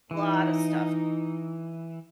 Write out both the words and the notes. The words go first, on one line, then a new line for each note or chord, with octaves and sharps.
Lotta stuff.
E3 D#4